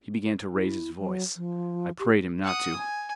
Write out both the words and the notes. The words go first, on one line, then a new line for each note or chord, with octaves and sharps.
He began to raise his voice--I prayed him not to.
E4
F#3
F3
G4
F#5 D#6
G#5